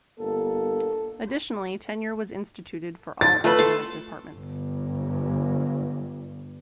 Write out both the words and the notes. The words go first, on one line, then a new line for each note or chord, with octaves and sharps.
Additionally, tenure was instituted for all academic departments.
G1 A#3 A4
A6
A3 F4 B4
A4 A5 C6
G1 G2